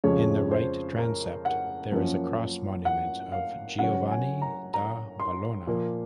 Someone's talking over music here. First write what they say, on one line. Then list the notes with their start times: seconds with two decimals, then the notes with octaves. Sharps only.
In the right transept, there is a cross monument of Giovanni da Bologna.
0.04 F2 C#3 F3 G#3 C#4 C#5
0.51 C5
0.98 A#4
1.45 F#5
1.92 F#2 F3 A#3 C#4
2.85 F#5
3.32 F5
3.79 C#3 F#3 C#4 F#5
4.11 G#5
4.42 A#5
4.74 A#5
5.20 C6
5.67 A#2 F3 A#3